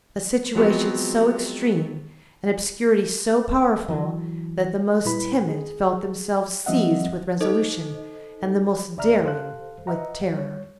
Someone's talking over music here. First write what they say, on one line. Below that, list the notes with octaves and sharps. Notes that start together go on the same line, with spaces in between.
A situation so extreme, an obscurity so powerful, that the most timid felt themselves seized with resolution, and the most daring with terror.
F3 F#3 G#3 B3 C4 F#4
E3 F#3
A#2 G3 E4 B4 B5
G#4
F3 G3 C4 D#5 E5 F#5
D#4 A4 C5 D#5
C#2 C#3 D5 E5 A#5 F6
G4 A4 C5 F5 F#6
B4 D#5 E5 F#5 A#5
G3 C#5